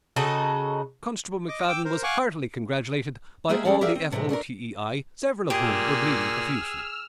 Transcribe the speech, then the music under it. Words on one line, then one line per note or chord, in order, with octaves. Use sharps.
Constable MacFadden was heartily congratulated by all the F.O.T.E.I., several of whom were bleeding profusely.
C#3 D#4 F#4 A4
D#5 D6
G5 D6 E6
A#4 C5
F5 F#5 G#5 C#6 D6 F#6
G#3 A#3 G4 G#4 E5
F3 G#3 A3 C#4 G#4 D5
G4 G#4 A#4 D5 E5 F5
C4
A2 C3 D#3 E3 G#3
A3 D4 G#4 A#4
A#2 G4 G#4 E6 F6